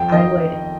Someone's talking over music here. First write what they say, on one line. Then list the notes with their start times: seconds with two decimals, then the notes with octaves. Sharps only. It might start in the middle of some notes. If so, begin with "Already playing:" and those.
I would
Already playing: F2 G5
0.12 D#3 D#5